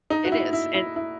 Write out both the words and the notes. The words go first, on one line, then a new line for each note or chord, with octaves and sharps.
It is, and
D#4
F#4
E4
E4
E4
E4